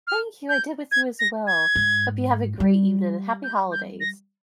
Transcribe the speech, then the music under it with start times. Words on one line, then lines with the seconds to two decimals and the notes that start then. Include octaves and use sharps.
Thank you, I did with you, as well. Hope you have a great evening, and happy holidays.
0.07 F6
0.49 G6
0.92 G#6
1.19 A#6
1.47 G#6
1.76 G#2
2.60 G3
3.44 G6
3.72 G6
4.00 A#6